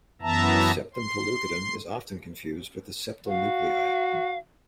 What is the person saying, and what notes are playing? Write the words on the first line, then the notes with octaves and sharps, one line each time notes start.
The septum pellucidum is often confused with the septal nuclei.
F#2 E3 B3 E5 A5 A#5
C6
F#4 F5